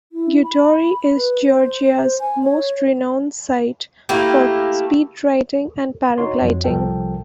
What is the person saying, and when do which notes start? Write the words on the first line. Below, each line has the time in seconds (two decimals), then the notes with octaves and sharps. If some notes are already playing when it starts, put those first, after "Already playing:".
Gudauri is Georgia's most renowned site for speedriding and paragliding.
0.12 E4
0.43 B5
1.15 B4
1.45 C5
1.83 C5
2.20 G#5
2.43 C#5
4.09 A3 A#3 E4 G4
6.18 D#4 F#4 C#5 C6
6.41 F2 F#3
6.64 C2 F3 A4 A#4 G5